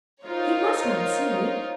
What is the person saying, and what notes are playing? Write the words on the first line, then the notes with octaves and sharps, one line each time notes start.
He must not see me.
D#4 F4 A#4 C5 C#5